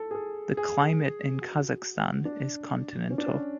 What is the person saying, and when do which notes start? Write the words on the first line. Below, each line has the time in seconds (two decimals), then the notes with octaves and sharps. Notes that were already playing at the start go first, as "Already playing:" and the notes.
The Climate in Kazakhstan is continental.
Already playing: A4
0.11 G#4
0.15 A4
0.57 G#4
1.42 F#4
2.25 D4
3.10 C#4
3.18 D4
3.26 C#4